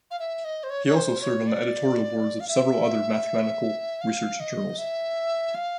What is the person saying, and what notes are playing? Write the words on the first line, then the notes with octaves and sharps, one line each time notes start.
He also served on the editorial boards of several other mathematical research journals.
F5
E5
D#5
C5
C#5
C#5
C5
C#5
D5
F5
E5
F5
D#5
E5
F5